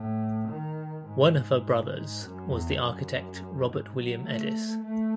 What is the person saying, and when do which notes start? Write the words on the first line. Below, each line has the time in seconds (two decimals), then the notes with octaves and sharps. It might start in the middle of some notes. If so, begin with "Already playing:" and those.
One of her brothers was the architect Robert William Edis.
Already playing: A2
0.48 D#3
1.05 G#2
1.93 G#2
2.21 F#2
2.50 E2
2.79 F#2
3.66 G#2
3.95 F#3
4.23 A3
4.82 A3